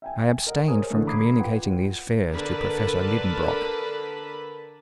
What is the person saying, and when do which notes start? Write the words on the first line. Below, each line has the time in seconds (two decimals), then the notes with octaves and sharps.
I abstained from communicating these fears to Professor Liedenbrock.
0.02 E5 G5 G#5
0.47 A#4 D#5 F#5
0.68 G#4 A#4 C5 C#5 G#5 D#6
0.90 D3 E3 A3
1.07 A#5 B5 D6 D#6 G#6 C7
1.38 F4 B4 F#5 G5
2.33 D3 A#4 B4 A5 B5